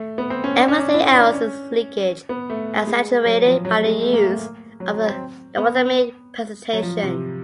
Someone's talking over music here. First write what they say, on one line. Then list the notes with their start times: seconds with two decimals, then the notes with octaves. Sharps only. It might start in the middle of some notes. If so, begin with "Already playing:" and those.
Everything else is leakage, exaggerated by the use of a logarithmic presentation.
Already playing: A3
0.18 B3
0.30 C4
0.44 C#4
0.56 D4
0.68 C#4
0.79 D4
0.94 E4
1.14 D4
1.34 C#4
2.29 B3
2.50 A3
2.87 G#3
3.26 F#3
3.46 F3
3.65 F#3
3.79 A3
3.85 G#3
4.03 A3
4.13 A#3
4.22 A3
4.32 A#3
4.80 F#3
4.94 F#3
5.07 C4
5.57 B3
6.73 F#3
6.83 F3
7.03 C3